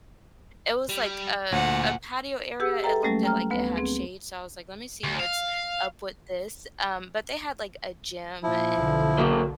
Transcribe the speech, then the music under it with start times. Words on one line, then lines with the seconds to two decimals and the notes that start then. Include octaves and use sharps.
It was, like, a a patio area. It looked at, like, it had shade. So I was, like, let me see what's up with this. Um, but they had, like, a gym and
0.89 G3
1.52 D2 A#2 F#5
2.60 G4 G#4 F#5 E6
2.84 A4 B4 E5 G5 A#5
3.03 F#3 G3 A3 A#3 C#4
3.23 G5 A#5 F6
3.51 D2 B3 B4
3.76 C4 G#4
5.04 D2
5.20 F5
8.43 A#2 F3 E4
8.76 B1 D3
9.18 F#3 A#3